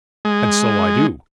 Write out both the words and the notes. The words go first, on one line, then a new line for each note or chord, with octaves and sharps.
'And so I do.
G#3